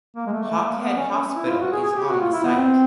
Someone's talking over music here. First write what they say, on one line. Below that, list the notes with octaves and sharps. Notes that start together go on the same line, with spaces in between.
Hawkhead Hospital is on the site.
A#3
G#3
A3
A#3
A3
A#3
B3
C#4
C#4
E4
F4
F#4
G#4
G#4
G4
F#4
F4
E4
B3
C4